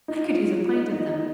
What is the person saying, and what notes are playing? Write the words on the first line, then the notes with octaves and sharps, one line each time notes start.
I could use a pint of them!
D#4
F4
F4
F4
D#4
D#4
D#4